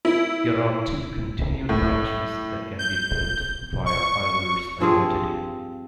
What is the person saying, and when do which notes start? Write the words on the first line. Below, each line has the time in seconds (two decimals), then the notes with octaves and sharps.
Here are two continued fractions that can be built via Euler's identity.
0.05 E4
1.69 A2
2.79 G6
3.86 C#6
4.81 G2 F3 C4 G#4